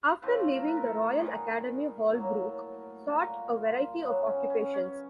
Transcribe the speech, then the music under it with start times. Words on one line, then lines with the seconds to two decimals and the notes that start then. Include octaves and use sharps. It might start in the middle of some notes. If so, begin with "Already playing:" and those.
After leaving the Royal Academy Holbrooke sought a variety of occupations.
0.22 A2 F3 A3 C4 B4
0.55 A#4
0.68 B4
0.77 A#4
0.86 A4
1.17 D#3 G3 B3 G#4
2.13 A2 F#3 A#3
3.07 A#2 G3 A#3 F#4
3.55 F4
4.02 C#3 F#3 B3 D4
4.26 C#4
4.50 C#4
4.74 C#4